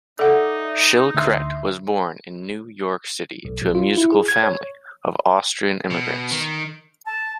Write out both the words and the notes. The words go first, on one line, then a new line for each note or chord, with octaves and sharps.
Shilkret was born in New York City to a musical family of Austrian immigrants.
D#4 A4 D5 E5 F#5
D2 E5 C6
B1
A#1
F4
E4
G#4
G#6
C#5
B2
D#3
A5